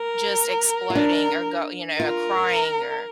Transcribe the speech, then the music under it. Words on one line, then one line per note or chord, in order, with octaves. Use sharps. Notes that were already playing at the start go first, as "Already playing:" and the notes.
just exploding or go you know, crying or
Already playing: A#4
F4
D4 A#4
F4 A#4